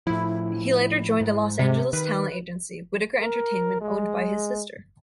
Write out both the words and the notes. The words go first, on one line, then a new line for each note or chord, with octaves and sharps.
He later joined a Los Angeles talent agency, Whitaker Entertainment, owned by his sister.
A2 F3 E4
G#2
C3
D#3 B4
A#4
G#3